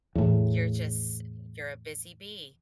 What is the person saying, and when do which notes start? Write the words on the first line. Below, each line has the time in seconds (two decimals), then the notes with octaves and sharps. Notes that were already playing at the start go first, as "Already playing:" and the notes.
you're just you're a busy bee.
0.15 E2 A2